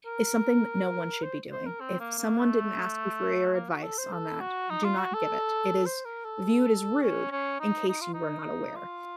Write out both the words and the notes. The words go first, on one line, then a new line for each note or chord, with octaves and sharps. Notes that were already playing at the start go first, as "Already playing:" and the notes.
is something no one should be doing. If someone didn't ask you for your advice on that, do not give it. It is viewed as rude in case you were not aware."
A#4
C5
C5
A#4
C4
A#3
A#3
A3
A#3
F#4
A4
C5
A4
F#4
D#4
F4
F#4
A4
C5
A#4
A4
C#4
C#4
D#4
D#4
F4
D#4
F4